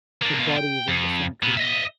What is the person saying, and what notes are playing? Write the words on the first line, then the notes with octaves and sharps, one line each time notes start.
The body is in the cemetery below.
A#3 D4
B2 F4
G5
F2
A#2 B3
D#5 E5